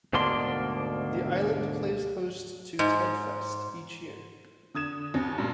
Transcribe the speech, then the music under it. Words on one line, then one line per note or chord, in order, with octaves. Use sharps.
The island plays host to Ted Fest each year.
D2 G#2 B2 A#3 D4 C6
G#2
D3 D#6 G#6 E7
D#2 C#4
G2 A#2 G3